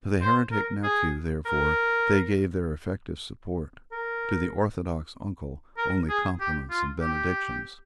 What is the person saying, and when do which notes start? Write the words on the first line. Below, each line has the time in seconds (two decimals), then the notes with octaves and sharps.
To the heretic nephew therefore they gave their effective support, to the orthodox uncle only compliments and benedictions.
0.21 C5
0.52 A#4
0.83 G#4
1.45 A#4
3.92 A#4
5.77 A#4
6.09 G#4
6.40 G4
6.71 F4
7.01 G4